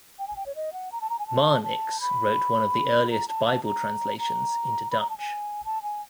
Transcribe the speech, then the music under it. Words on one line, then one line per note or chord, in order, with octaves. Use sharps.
Marnix wrote one of the earliest Bible translations into Dutch.
G5
G#5
G5
C#5
D#5
F#5
A#5
A5
A#5
G#5
A5
A5
B5
A#5
A5
A5
A#5
A#5
B5
A#5
A5
G#5
A5
G#5